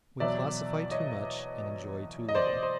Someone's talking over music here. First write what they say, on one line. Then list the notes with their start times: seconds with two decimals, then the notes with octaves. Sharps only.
We classify too much and enjoy too little.
0.20 E2 B2 F#3 D5 E5
0.91 C#5 D#5
2.29 D#5
2.35 C5 D5
2.63 C5